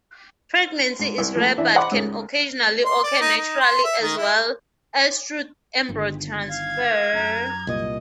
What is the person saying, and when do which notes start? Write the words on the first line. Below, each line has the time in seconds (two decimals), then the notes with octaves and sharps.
Pregnancy is rare, but can occasionally occur naturally as well as through embryo transfer.
0.99 G#2
1.18 C2
1.35 F3 A3 A#3
1.58 E3 D4 E5
1.75 C5 D#5 F#5 B5 C6 D6
1.91 C#2 G#2 C#4 G#4
2.85 C6
3.04 D5
3.21 D#4
3.37 D#4
3.60 C6
3.84 E5
4.02 D#3
4.17 E4
5.89 G1 D#3
6.48 F5 G#6
7.14 F#2 A#5
7.67 C2 A#2 D#5